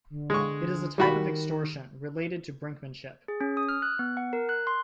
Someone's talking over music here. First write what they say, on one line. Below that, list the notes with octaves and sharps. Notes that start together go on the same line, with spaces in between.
It is a type of extortion, related to brinkmanship.
D3
G#3 C#6
D#3 G3 F#4 B5
G#4
C#4
D#6
F6
F#6
B3
F#5
A#4
F#6
C6